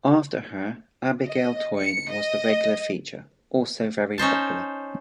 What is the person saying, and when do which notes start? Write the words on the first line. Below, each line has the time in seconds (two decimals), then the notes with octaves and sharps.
After her Abigail Toyne was the regular feature, also very popular.
1.27 D#5
1.79 C#7
2.11 D#5
4.18 C#4 D#4 C5 A5